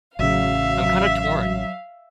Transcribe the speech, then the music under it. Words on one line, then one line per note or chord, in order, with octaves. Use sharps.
I'm kinda torn.
A1 C#3 F#3 E5 F5